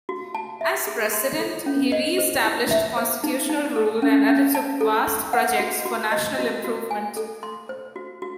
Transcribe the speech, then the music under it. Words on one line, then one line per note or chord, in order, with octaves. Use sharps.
As president, he re-established constitutional rule and undertook vast projects for national improvement.
F#4
A5
E5
G#4
C6
A4
C#4
D#5
C5
E4
E5
C5
D#4
D#4
A4
C#4
C#4
A5
A4
C#6
F#5
F#4
F#4
D#5
F#4
F#4
G#5
A4
C6
C5
F#4
F#4